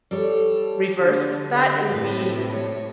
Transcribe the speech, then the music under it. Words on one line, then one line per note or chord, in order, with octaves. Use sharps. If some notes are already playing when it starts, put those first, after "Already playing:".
reverse that, it would be
G3 A4 C#5
D3
A2 C3 G4 B4
C#5